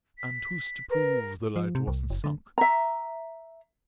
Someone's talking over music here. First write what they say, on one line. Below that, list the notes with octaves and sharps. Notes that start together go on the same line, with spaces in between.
And who's to prove the lighter wasn't sunk?
B6
A#4 B4
F3
C3
C2
F#1
D3
E5 A#5